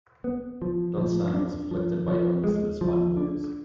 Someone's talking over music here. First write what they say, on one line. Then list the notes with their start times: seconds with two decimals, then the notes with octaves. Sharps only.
Dunstan was afflicted by illness in his final years.
0.24 B3
0.62 F3
0.98 F3
1.34 D4
1.71 F3
2.08 F3
2.44 G#3
2.81 F3
3.17 D4